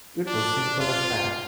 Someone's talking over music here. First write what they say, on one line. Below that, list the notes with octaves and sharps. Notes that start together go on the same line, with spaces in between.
It was simple as that.
D4
F4